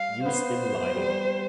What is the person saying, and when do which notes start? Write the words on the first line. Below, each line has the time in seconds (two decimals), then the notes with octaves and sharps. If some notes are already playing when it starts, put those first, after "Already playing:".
Use dim lighting.
Already playing: G3 F5
0.25 B3 C5
0.95 G3